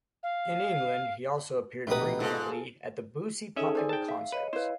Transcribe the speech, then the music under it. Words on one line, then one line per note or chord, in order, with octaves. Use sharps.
In England he also appeared frequently at the Boosey popular Concerts.
F5
A#1 B2 A3 G4 B4 A#5 D#6
G#2 F4 A4 A5
C#4 D#4 G#4 A4 D#5 E5
C5 D5 G#5
G5 A5
E5 F5
B4 C#5 D#5
E4 B4 C5 F5